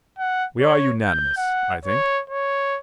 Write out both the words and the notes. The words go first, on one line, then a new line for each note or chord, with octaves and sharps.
We are unanimous, I think.
F#5
C#5
G6
F#5
C#5
C#5